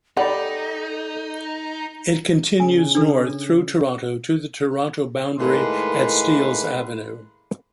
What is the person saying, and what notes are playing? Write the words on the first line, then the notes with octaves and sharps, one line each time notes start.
It continues north through Toronto to the Toronto boundary at Steeles Avenue.
D#4 G4 A4 D5 F#5 B5
C#3 G#5
D4 A4
A2 D#3 G#3 A#3 B4 C6